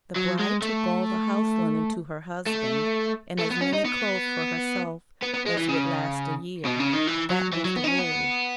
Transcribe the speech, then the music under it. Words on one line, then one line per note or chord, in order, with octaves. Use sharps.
The bride took all the house-linen to her husband, and as many clothes for herself as would last a year; that was the rule.
F#3
G#3
A3
A3
A3
B3
C#4
D#4
B3
B3
B3
G#3
E3
C#3
B2
C#3
D#3
E3
F#3
E3
F#3
B3
D#4
C#4
B3